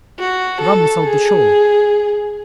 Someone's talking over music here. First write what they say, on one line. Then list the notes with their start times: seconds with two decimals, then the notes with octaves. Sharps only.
Rum sold the shawl.
0.19 F#4
0.62 A4
1.04 G#4